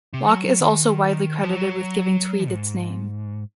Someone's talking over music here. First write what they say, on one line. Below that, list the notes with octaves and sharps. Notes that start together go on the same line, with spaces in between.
Locke is also widely credited with giving Tweed its name.
C3
F#3
F#3
D#3
F3
F#3
G#2